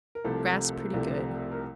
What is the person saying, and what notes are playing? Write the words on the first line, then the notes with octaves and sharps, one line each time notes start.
Grass pretty good.
A#4
C2 C3 F3 A3 A4
C2 C3 F3 A3
A#4